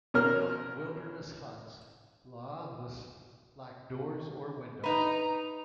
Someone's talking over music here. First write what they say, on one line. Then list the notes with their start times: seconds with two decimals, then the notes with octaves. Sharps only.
Unlike wilderness huts, laavus lack doors or windows.
0.14 B2 C#4 A#4 F6
4.84 D#4 B4 A#5